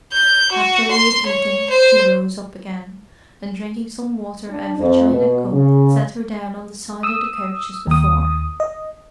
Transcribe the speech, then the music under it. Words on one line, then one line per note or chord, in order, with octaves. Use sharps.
After we had eaten, she rose up again, and drinking some water out of a china cup, sat her down on the side of the couch as before.
G6
F#4
C6
C#5
C5
D4
F2
B2
C#3
D#6 E6
D#2 D#6
D#5